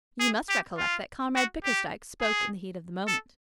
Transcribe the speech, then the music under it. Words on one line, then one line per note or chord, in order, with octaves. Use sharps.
You must recollect that Comrade Bickersdyke spoke in the heat of the moment.
G#4
G4
F4
F#4
G4
G#4
A4